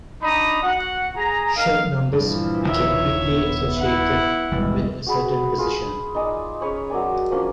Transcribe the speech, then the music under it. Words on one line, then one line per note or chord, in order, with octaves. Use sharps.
Shirt numbers became quickly associated with a certain position.
D4 D#4 A#5 B5 D#6
F#4 F#5
G#4 A#5
D#4 A#4 F5
G2 A#2 E3 F3
D#1 D#3 C#5 E5
B3
E4 F#5
F#1 D#2 B2 E3 G3 G#3
F#4 G#4 B5
F4 G#4 B4
D#4 D5 G#5
C#4 G#4 B4 C#5
F#3 A#4 D5 G#5
F3 A#3 C#4 D4